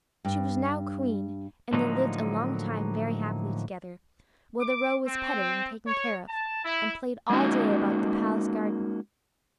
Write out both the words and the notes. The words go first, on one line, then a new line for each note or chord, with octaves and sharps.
She was now queen, and they lived a long time very happily together; while the roe was petted and taken care of, and played all day about the palace-garden.
G2
A2 D3 F3 F#3 A#3 D#4
D6
C4
C#5
A5
E4
G#3 A#3 C#4 D#4 F#4